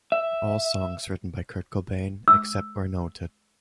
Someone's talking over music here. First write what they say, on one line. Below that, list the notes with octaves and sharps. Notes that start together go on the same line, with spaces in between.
All songs written by Kurt Cobain, except where noted.
E5
E6